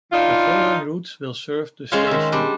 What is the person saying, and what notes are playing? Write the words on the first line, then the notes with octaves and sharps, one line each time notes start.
The following routes will serve this station.
E3 D4 D#4 F4
G#3 C#4 F4 C5 C#5 F5
D#3 E5
G3 D4 C5